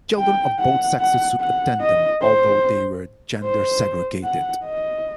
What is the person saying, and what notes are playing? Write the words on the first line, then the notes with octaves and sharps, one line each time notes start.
Children of both sexes could attend them, although they were gender segregated.
G5
F#5
F#5
F#5
D#5
C5
C5
F#5
D#5